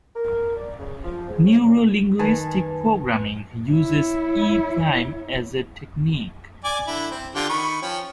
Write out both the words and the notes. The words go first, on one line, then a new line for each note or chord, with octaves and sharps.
Neuro-linguistic programming uses E-Prime as a technique.
A#4
D5
C#3
F3
G#2
C#4
A#2
D#3 B4 G#5 A5
E4 C#5
D5 G#5 D6
D3 E4
C4
D3 F4 G4
D#3 B5 C#6
F3 C#4 G5